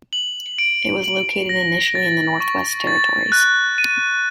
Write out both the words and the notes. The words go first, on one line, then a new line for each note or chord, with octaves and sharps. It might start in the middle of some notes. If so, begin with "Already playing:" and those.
It was located initially in the Northwest Territories.
F#7
D7
F#7
A#6
A6
C#6
A6
F#6
D#7